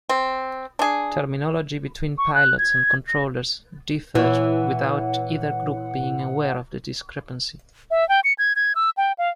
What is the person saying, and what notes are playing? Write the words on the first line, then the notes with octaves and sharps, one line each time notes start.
Terminology between pilots and controllers differed without either group being aware of the discrepancy.
C4
D4 G#4
C#6
F#6
G#6
A#6
A#2 E3 E4 C#5 F#5
E5
G5
C#7
G#6
G#6
E6
G5
F5